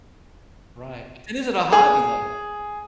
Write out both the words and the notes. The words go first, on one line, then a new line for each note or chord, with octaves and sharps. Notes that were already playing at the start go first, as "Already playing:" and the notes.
Right. But, then, is it a hobby, though?
G#4